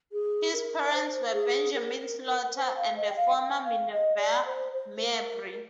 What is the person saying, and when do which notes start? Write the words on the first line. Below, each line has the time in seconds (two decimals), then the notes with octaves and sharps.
His parents were Benjamin Slaughter and the former Minerva Mabry.
0.12 G#4
0.53 A#4
0.86 D5
0.93 C5
1.33 G#4
1.74 A#4
2.56 C5
2.76 F5
2.96 D#5
3.10 G5
3.16 F5
3.37 G5
3.64 F5
3.92 D#5
4.18 D5
4.46 C5
4.73 C5
5.00 A#4